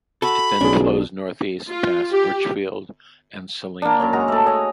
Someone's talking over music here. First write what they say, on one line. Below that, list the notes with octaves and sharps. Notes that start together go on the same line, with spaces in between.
It then flows northeast past Richfield and Salina.
F#4 A4 B5
B1 C#4 D4 G#4
F4
G4
A#3 D4
F#2 C#5
G#3 F#4 A#5
A3 A4
C#5 D#5 G#5